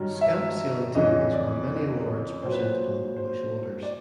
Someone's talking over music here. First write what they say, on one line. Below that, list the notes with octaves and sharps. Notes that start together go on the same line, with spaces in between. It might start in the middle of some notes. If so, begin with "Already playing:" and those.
Scamp Sailing Team has won many awards presented on Polish waters.
Already playing: G2 D#3 F#3
E5
F2 C#3 E3 D#5
D5
A#2 F#3 C5
B4
C5
C5
D5